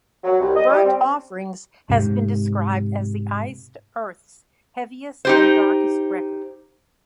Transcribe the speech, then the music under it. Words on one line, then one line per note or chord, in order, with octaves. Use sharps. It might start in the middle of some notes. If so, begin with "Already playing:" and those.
"Burnt Offerings" has been described as the Iced Earth's heaviest and darkest record.
F#3
C2
D#5
G3
C4
G#2 C3
D#4 G4 C5